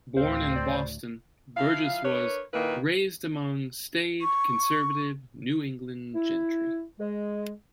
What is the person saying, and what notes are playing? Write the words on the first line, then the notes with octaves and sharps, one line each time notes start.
Born in Boston, Burgess was "raised among staid, conservative New England gentry".
D2 A2 A3 C4 C5 F5
C5 D5
F3 E4 F5
D4 A#4 B4 C#5
A#2 D#3 A#3 E4 B4
C#6
E4
G#3